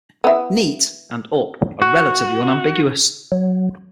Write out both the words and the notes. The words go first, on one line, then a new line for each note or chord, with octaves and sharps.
"Neat" and "up" are relatively unambiguous.
B3 E4
F#4
F#3